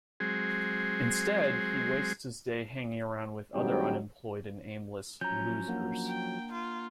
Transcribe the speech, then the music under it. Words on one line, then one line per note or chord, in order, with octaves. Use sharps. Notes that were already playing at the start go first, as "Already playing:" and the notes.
Instead, he wastes his day hanging around with other unemployed and aimless "losers".
F#3 G#3 C4 G#4
D2 G#2 F#3 G3 C4 G5
F3 F#3 C#4 A#5 G6
A#3 D4 F#5
G5
F4